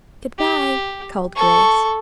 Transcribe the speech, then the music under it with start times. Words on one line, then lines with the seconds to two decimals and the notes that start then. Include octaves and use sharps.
"Good-bye," called Grace.
0.38 G4
1.36 A4 C#6